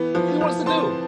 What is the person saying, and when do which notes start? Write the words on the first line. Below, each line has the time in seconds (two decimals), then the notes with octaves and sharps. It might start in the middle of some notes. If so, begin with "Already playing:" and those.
What do you want us to do?
Already playing: E3 B3
0.15 F3
0.41 F3
0.66 C4 A5 C6